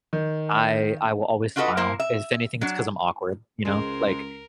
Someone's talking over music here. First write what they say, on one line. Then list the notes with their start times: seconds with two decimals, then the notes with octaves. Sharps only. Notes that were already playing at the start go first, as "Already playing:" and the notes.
I I will always smile. If anything, it's 'cause I'm awkward, you know, like
0.13 D#3
1.56 D4 F4 F#4 A4 B4 D#5
1.77 A#3 E4 A#4 C5
2.00 E5
2.61 F#3 D4
3.65 C#2 G#3 A#4 C5